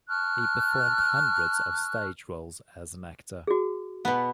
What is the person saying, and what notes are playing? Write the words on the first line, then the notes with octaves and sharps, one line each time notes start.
He performed hundreds of stage roles as an actor.
A5 C#6 F6 F#6
F#4 G#4
B2 B3